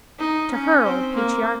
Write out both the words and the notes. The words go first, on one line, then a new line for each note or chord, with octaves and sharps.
To her, old patriarch!
D#4
C#4
C4
A#3